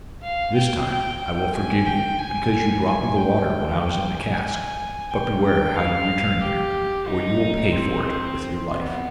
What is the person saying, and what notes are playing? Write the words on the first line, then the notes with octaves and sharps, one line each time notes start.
'This time I will forgive you, because you brought me the water when I was in the cask; but beware how you return here, or you will pay for it with your life.'
F5
G5
G5
G5
G#5
G5
G#5
G#5
G5
G5
G#5
G5
F5
G4
D#4
C4
B3